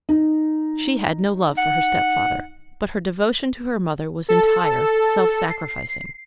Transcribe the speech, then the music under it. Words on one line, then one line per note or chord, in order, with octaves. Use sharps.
She had no love for her stepfather, but her devotion to her mother was entire, self-sacrificing.
D#4
F#5
A4
C7